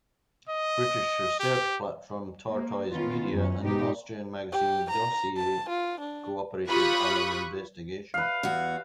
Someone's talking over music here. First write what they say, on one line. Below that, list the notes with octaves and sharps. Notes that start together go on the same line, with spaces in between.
British research platform Tortoise Media and Austrian magazine Dossier cooperated on an investigation.
D#5
G4
A#3
D#3 B3 C#4 F4
F#2 C#4
G#2 B2 D#4 G4
G4
A#5
A5
F4
D4
F4 G4 B5 C#6 D#6 F#6
B4 F5
E2 F#4